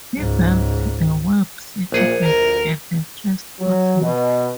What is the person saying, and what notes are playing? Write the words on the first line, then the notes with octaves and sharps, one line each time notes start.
He built the Webb City Bank and the first hotel.
C#2 G#2
A#1 A#2 G#4 F#5
D2 A#4
F#3
B2